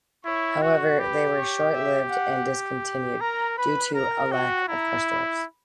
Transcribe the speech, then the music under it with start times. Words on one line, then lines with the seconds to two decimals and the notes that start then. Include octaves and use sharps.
However, they were short-lived, and discontinued, due to a lack of customers.
0.25 E4 C#5
0.62 F#4
0.99 G4 B4
1.36 C#5
1.73 E5
2.10 F#5
3.21 A#4 A#5
3.57 B4 B5
3.94 A#4 A#5
4.32 F#4 G5
4.68 E4 A#5
5.06 B5